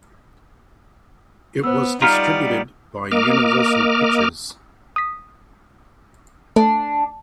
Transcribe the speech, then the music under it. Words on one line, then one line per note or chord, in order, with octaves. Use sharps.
It was distributed by Universal Pictures.
B3 C5 E6
G3 B3 D#4 F4 D5 A#5 F6 B6
A#3 D#5 D6 F6
D#6 B6
A3 D4